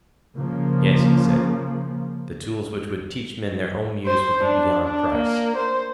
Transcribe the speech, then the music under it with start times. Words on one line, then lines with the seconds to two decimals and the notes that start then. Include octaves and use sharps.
Yes, he said, the tools which would teach men their own use would be beyond price.
0.36 C#3 F3 A#3
4.06 C5
4.43 D4
4.84 D4
5.13 A#3
5.56 C5